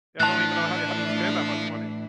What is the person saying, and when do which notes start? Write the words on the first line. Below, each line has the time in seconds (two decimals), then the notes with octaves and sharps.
Yeah, I don't even know how do how do you spend that much money?
0.20 A2 E3 F3 A3 D4 E4 A5 F#6